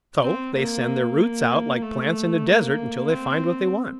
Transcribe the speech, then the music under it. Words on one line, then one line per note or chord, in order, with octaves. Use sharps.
So they send their roots out, like plants in a desert, until they find what they want.
C4
A#3
A#3
A3
A#3
C4